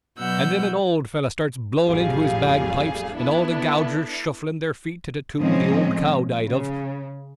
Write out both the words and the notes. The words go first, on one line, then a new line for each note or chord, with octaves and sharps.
And then an old fellow starts blowing into his bagpipes and all the gougers shuffling their feet to the tune the old cow died of.
B2 F#3 B3 F#5 E6 G6
A1 F2 G3 A3 G#4 F5
B3 D4 E4 A4
A2 F3 G#3 C4 C#4 D#5
C#3